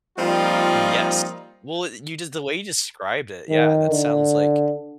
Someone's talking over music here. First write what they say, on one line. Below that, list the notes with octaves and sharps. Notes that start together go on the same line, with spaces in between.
Yes. Well, it you j the way you described it, yeah, that sounds like
F3 G3 A#3 C4 D#4 F4
D#3
D3